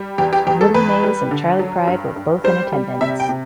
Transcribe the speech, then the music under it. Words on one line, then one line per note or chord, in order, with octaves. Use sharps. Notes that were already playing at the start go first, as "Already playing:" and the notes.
Willie Mays and Charley Pride were both in attendance.
Already playing: G3
E2 G4
G4
E2 G4
A4
E2 B4
G3
D3
F#3
G2
G2
G3 C5
G3
C3 E5
G5
C3